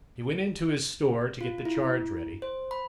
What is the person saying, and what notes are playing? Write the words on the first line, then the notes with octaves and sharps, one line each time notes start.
He went into his store to get the charge ready.
F4
E4
C5
B5